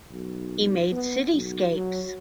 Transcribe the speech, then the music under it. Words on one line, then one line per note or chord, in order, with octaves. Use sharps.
He made cityscapes.
B1
B3
B1
F#3